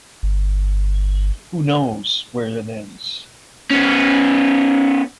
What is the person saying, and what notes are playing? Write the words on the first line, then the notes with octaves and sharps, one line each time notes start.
Who knows where it ends?
G1
B3 C#4